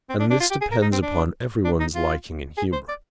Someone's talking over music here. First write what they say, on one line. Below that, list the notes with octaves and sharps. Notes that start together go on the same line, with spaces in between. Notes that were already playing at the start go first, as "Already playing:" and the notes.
And this depends upon every one's liking and humour.
C4
D4
D4
F4
G4
G#4
A#4
D#4
C4
D4
D4
D#4
F4
G#4
C5
D5